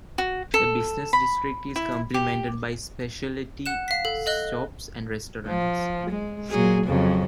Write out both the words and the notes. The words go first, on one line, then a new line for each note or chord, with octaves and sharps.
The business district is complemented by specialty shops and restaurants.
F#4
A4
B5
E4
G4
F#5 F#6 E7
F5 B6
A4
A4 D#5 F#6 G7
F3
G#3
A#2 F#3 G#4
F2 C#3 F#3